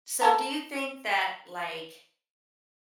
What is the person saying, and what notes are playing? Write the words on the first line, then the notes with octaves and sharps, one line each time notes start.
So, do you think that, like,
A4 A5 A#5